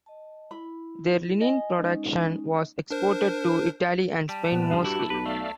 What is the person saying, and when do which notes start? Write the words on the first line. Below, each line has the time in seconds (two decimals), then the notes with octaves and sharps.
Their linen production was exported to Italy and Spain mostly.
0.06 D#5 A5
0.51 E4 B5
1.41 D#5 G#5
1.77 G#3 C#4 D#4
2.91 D4 A#4 C5
4.29 G3 A5
4.52 A#2 B3
4.70 E2 G2 C#3 F3
4.84 E4 F#4 G4
5.10 B1 G4 B4
5.26 A3 D5 E5 F5